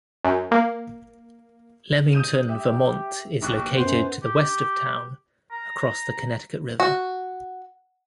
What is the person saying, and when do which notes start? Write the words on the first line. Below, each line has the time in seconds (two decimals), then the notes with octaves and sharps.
Lemington, Vermont is located to the west of town, across the Connecticut River.
0.25 F#2
0.51 A#3
2.13 D#6 G6 D#7
2.49 G4 E5
3.42 A#1 G4 C#6 F#6
3.77 F#2 B3 C5
4.23 G4
5.51 A#5
6.80 F#4